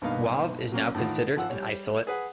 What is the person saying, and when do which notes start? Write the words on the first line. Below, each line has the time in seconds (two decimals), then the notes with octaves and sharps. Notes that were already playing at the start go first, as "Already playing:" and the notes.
Huave is now considered an isolate.
0.01 B1 G2 A#3 B3 D#4 F5
0.72 F#3 A#3 C#4
0.95 A2 D#3 E3 F4 F#5
1.36 G#1 F3 F#5 E6
1.50 G3 C#5
2.07 G#4 B4 F#5